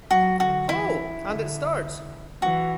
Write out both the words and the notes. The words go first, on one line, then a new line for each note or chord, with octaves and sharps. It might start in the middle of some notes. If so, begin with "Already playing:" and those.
Oh! And it starts!
F#3 F#4
D3 F#4
E3 E4
D3
E3 F#4